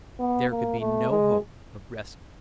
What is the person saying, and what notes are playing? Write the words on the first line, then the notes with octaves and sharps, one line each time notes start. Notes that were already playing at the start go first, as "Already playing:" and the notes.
There could be no hope of rescue.
B3
A#3
A3
G#3